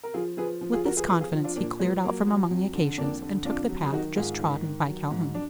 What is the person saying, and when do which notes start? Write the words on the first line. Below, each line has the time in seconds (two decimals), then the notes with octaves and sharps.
With this confidence he cleared out from among the acacias, and took the path just trodden by Calhoun.
0.03 A#4
0.14 F3 F4 G#4
0.37 F3 G#4 B4
0.61 F3
0.73 F4 G#4
0.85 F3 F#4 A#4
0.97 G#4 B4
1.08 F3 G#4 B4
1.21 F4 G#4
1.32 F3
1.44 D4 F4
1.56 A#2 A#3 D4
1.80 F3 G#3 B3
2.03 F#3 A#3
2.27 F#3
2.51 F2
2.74 D3
2.98 F2 A#3 D4
3.22 D3
3.45 F2 D4 F4
3.69 F#3
3.85 G#4
3.93 D#3 D#4 F#4
4.16 G#2 F4 G#4
4.39 D#3
4.64 D#3
4.87 F#3
5.11 G#2
5.35 D4